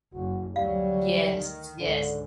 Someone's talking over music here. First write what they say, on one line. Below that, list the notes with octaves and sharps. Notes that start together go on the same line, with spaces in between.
Yes, yes.
F#1 F#4
D2 F#3 G3 F5
D#3
C#2 G#2 D3